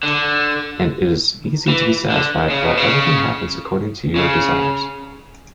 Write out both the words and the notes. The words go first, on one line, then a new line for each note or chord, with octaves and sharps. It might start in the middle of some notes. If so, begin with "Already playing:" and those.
And it is easy to be satisfied while everything happens according to your desires.
D3
E3
D3
C#3
B2
C#3
C#3